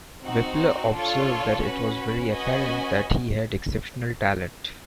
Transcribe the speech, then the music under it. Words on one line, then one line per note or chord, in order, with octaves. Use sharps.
Wippler observed that It was very apparent that he had exceptional talent.
C4 D#4 F#4
D4 F4 A4 C#5
C#4 F#4 B4
C#4 F#4 B4 D#5 G#5